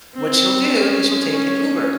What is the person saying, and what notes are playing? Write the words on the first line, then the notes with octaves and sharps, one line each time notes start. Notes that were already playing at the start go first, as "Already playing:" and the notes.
What she'll do is she'll take an Uber.
C4
C#4
C#4